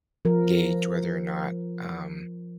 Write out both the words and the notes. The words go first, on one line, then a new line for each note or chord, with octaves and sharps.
gauge whether or not, um,
F3 A#4